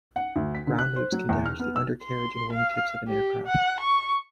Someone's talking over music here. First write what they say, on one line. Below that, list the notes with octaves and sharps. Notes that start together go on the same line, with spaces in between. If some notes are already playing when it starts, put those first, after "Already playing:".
Ground loops can damage the undercarriage and wingtips of an aircraft.
F#5
D2
B6
D3
F#6
C5
F#3
E2
F6
B3
E6
C6
F5
G4
F#5
C#6